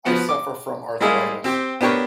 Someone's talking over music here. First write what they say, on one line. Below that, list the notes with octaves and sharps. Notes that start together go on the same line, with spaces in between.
I suffer from arthritis.
F3 B3 F#4 F#5
D6
G3 G#3 A#3 E4 G#4 F5
C4 G4
B3 D4 G4 A#4 C#5